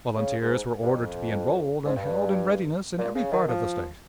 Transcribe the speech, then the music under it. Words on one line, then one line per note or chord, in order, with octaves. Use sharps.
Volunteers were ordered to be enrolled and held in readiness in every part of the State.
C#3
G#2
G2
F2
G#2
G2
A#2
C#3
D#3
F3